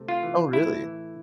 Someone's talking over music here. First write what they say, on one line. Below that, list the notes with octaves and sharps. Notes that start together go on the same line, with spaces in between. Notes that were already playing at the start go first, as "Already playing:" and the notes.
Oh, really?
Already playing: C3 A3
F4
E3
A2 E4
E3